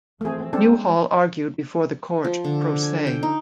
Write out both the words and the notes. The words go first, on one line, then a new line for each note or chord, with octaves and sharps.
Newhall argued before the court pro se.
E3 F3 A3 C4 G#4
G#3 C4 D4 A4
F3
D3
G#5
G5
D#4